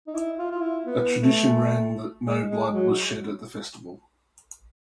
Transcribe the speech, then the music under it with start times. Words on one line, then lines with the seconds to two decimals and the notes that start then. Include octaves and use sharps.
A tradition ran that no blood was shed at the festival.
0.07 D#4
0.15 E4
0.39 F4
0.52 F4
0.61 E4
0.86 B3
1.20 A3
2.25 G#3
2.49 G#3
2.73 F#3